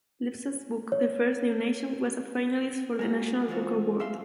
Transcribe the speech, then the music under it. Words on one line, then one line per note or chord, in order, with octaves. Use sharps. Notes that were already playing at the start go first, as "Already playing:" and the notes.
Lipset's book "The First New Nation" was a finalist for the National Book Award.
C#5
G#3 A#3 F#4
E3 G#3 B3 C4 F4 F#4
F#2 E5 F5 C6